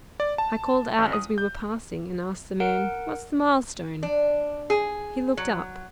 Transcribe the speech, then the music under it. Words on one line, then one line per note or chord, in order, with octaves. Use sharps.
I called out as we were passing, and asked the man, "What's the mile-stone?" He looked up.
D5
A5
A1
D#6
G6
A#4 F#5 D7
D4
G#4
F#3